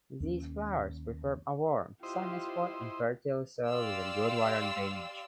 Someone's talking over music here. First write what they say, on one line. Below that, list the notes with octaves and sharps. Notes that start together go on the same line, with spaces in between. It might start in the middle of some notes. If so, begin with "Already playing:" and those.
These flowers prefer a warm, sunny spot and fertile soil with good water drainage.
D#2 C#4
E4 F4 G4 C5 D#5
G4 D5 F5 C6 E6